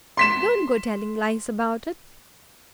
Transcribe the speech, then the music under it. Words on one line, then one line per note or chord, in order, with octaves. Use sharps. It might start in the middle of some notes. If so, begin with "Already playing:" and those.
Don't go telling lies about it.
C6 B6 E7